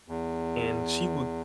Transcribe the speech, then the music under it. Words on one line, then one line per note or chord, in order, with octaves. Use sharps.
and she would
E2